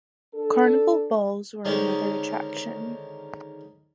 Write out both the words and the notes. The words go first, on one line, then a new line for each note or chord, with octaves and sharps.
Carnival balls were another attraction.
D4 A4
D3 D#3 G#3 C4 C#4